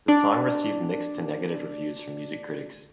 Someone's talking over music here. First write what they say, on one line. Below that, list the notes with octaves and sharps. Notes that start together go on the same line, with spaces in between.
The song received mixed to negative reviews from music critics.
D4 D5